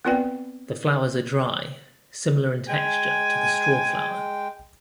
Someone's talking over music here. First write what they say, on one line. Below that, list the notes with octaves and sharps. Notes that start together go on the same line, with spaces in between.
The flowers are dry, similar in texture to the strawflower.
B3 C4 F4 B4 D5 G5
G#3 G5 G#5